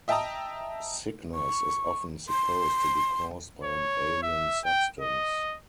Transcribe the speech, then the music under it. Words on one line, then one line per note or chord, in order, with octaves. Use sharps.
Sickness is often supposed to be caused by an alien substance.
D#5 E5 G5 A5 A#5 D#6
C#6
C6
C#5
E5
G5
D#5